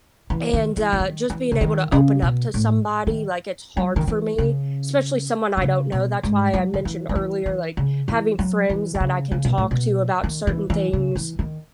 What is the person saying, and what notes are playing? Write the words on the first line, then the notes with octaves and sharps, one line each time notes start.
and, uh, just, being able to open up to somebody, like, it's hard for me, especially someone I don't know, that's why I mentioned earlier, like, having friends that I can talk to about certain things,
E3
D#3
E3
E3
D#3
E3
C#3
D#3
C#3
B2
A2
D#3
F#3
D#3
E3
C#3
B2
C#3
B2
G#2
F#3
D#3
E3
F#3
E3
E3
C#3
E3
F#3
E3
D#3
C#3
C#3
B2
A2
B2
D#3
E3
E3
C#3
E3
D#3